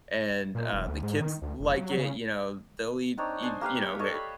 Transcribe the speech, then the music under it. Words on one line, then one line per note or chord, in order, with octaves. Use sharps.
and uh, the kids like it, you know, they'll eat eat, you know,
A#2
E1
D2
G#2
D#3
D2
F1
F#3
C#3
C4 D4 D#4 C#5
D4 C5 G#5
A#3 G4 B4 F5
G4
A4 C#5 D#5
B5